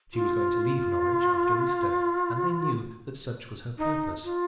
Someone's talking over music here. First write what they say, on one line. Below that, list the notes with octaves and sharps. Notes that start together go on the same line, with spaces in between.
She was going to leave Norwich after Easter, and they knew that such was her purpose.
F4
D#4
F4